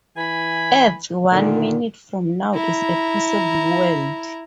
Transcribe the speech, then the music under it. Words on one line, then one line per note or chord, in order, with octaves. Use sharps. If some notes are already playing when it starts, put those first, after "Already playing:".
Earth one minute from now is a "possible world".
E3 G#5 B5
A#2 D3 D#3
E4 A#5